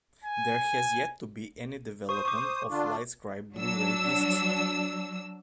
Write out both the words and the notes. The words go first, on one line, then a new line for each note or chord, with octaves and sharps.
There has yet to be any development of LightScribe Blu-ray discs.
G#5
C5 C#6 D#6
C#6 D6
D3 D4 F4
F#3 D4 E6